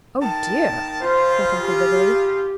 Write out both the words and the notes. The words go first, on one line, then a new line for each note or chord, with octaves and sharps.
"Oh, dear!" thought Uncle Wiggily.
D#3 A#3 A5
C#3 F4 C5
G4